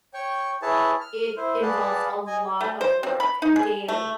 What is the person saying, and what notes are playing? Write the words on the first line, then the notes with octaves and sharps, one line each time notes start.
it involves a lot of work daily.
C#5 G5 C#6
E4 G#4 B4 C#5 A5
F6
E4 C5
G#4 B4 D5 F5 F#5 A5
D#5 G#5
A3
C5
C4
B5
D#4
G#4
A3